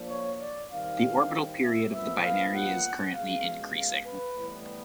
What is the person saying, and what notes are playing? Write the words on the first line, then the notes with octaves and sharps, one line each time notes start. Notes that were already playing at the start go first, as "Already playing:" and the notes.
The orbital period of the binary is currently increasing.
Already playing: F3 A#3 D4
C#5
D5
D#3 G3 C4 F5
E5
A#2 F3 G#3 B3 E5
F5
F#5
B2 G#3 C#4 F5
F5
B4
A2 E3 G3 B3